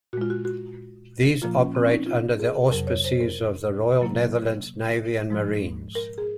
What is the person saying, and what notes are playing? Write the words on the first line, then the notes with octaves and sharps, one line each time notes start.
These operate under the auspices of the Royal Netherlands Navy and Marines.
A#2 G#3 F4 F#4
F#4
F#4
A#2 F3 A#3 F4
C#4
C4
C#4
D#4
F4
G#4
F2 C3 F#3 A#4
C#5
C5
A#4
C3 F#3 A#3
G#2 F3 G#3
A#4
G#4